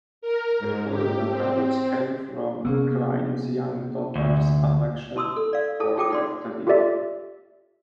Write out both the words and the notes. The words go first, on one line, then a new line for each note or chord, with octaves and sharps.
The call letters come from Klein's young daughter's affection for her teddy bear.
A#4
G#2
G4
C4
C4
C3 A#3 B3 C#4 G#4
D2
E4 A5 C6 D#6 E6
A4
D5 F5
E4 G#4 A4 A5 D#6
F4 G#4 G5 A5 D6 D#6
D#4 D5 C6
F4 G4 A4 D5 E5